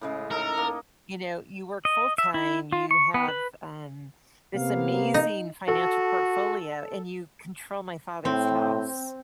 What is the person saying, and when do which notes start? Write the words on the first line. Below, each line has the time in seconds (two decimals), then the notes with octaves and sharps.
you know, you work full time, you have, um, this amazing financial portfolio, and you control my father's house.
0.01 A2 C#3 G#3
0.31 D#4 A4 A#4 D#5
0.58 A#3 D#4
1.85 D#5
2.18 E5
2.34 E4
2.72 F4
2.91 C#6
3.14 B3
3.28 B4
4.55 C3 A#3 B3 F5
5.14 D#4
5.68 F#4 A4
8.25 A2 C4